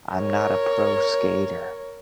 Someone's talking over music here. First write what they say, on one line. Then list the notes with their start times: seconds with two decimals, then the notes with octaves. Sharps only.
I'm not a pro skater,
0.13 A#4 C#5